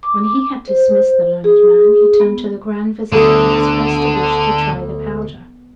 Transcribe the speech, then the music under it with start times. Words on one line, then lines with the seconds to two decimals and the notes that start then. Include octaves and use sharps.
When he had dismissed the learned man, he turned to the Grand Vizier, and expressed a wish to try the powder.
0.03 D6
0.68 C5
1.44 G#4
2.20 B3
3.12 D2 D3 B3 D#5